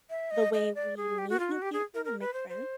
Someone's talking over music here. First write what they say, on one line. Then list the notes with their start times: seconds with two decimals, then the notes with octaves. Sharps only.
the way we meet new people and make friends?
0.10 E5
0.31 D#5
0.53 D#5
0.75 D5
0.97 G#4
1.18 G4
1.30 F#4
1.40 F4
1.51 F#4
1.62 G4
1.73 G#4
1.94 A#4
2.05 A#4
2.20 B4
2.34 C5
2.49 C5